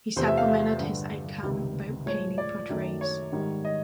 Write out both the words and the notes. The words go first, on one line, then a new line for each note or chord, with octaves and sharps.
He supplemented his income by painting portraits.
E2 C3 F3 A3 C5
E5
F5
E5
G2 D3 G3
C#2 C3 D#3 G3
A2 F3 G#3 C#5
D5
F#2 D#3 F#3 A3
C#5
G#2 D#3 G3
D#5